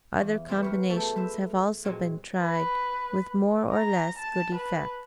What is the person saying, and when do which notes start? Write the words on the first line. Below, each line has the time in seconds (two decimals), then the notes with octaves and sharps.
Other combinations have also been tried, with more or less good effect.
0.17 E2 F5
0.49 C3 C4 E4 G4 B4 C5
0.62 A#4 B4 C#5
0.89 A3 B3 F#4 G#4 A4 G5
1.16 B4 C5 E5
1.85 A#2 F#3 G#3 C4
2.40 B4
3.73 A#5
4.18 A5
4.55 B4